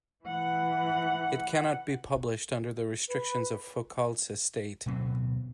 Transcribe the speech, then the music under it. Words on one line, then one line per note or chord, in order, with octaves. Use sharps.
It cannot be published under the restrictions of Foucault's estate.
E3 F#5
B4
D1 B2 F#3 C4